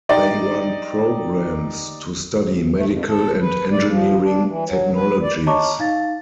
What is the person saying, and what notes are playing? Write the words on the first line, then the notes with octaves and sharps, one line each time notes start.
They run programmes to study medical and engineering technologies.
D#4 G4 D5
A3
F2
A4
B4
D5
F3
D4
E3
F#3
B4
D5
C#5 D#5 A5 A#5 C#6 D6
D#4 F5 A6